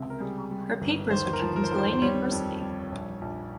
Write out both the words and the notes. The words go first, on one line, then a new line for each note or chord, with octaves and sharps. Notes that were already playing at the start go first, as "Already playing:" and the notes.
Her papers are kept in Tulane University.
Already playing: C#2 C3
A#4
G3 G#4
G3
G1
D#2 C5
A#4
F3
A#4
C5
D#2 A#4
C5
C5
G3 C#5
F2
G3
A#1
A#1